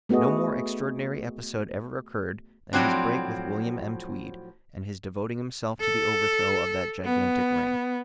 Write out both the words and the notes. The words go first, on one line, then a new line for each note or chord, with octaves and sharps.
No more extraordinary episode ever occurred than his break with William M. Tweed, and his devoting himself to the overthrow of that gigantic ring.
A3 B3 F#4 G#4 D#5
A2 F3 F#3 C4 D4
A4
B3